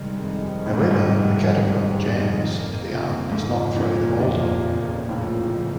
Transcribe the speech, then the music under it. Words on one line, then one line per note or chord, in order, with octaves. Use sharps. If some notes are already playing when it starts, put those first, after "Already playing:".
However, the catapult jams and the arm does not throw the boulder.
Already playing: G2 C3 D#3 G#3
F2
A2 G#3
G#2
G2
G#2
G2 C3
D#3
F2
A#3
C#3
G#2 F3
E2 A#2
A#2 A#3
C#3
A2 F3
E2